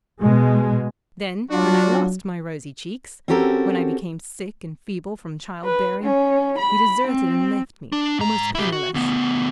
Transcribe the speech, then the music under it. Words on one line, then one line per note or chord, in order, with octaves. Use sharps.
Then, when I lost my rosy cheeks--when I became sick and feeble from child-bearing--he deserted and left me almost penniless.
B2 G#3
F#3 D4 F4 F#4
C4 C#4 F#4 G4 A4 A#4
B4
C#4
B5
C4
D4
G#2 A#5
E4 G4
F#4
D2 B3